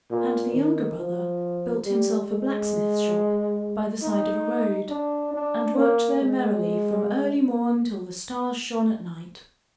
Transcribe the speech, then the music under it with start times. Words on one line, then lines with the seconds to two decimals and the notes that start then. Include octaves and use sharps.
And the younger brother built himself a blacksmith's shop by the side of a road and worked there merrily from early morn till the stars shone at night.
0.11 A#2
0.54 D#3
0.98 F3
1.85 G3
2.29 G#3
4.03 D#4
4.90 D4
5.34 D4
5.77 A#3
6.21 G#3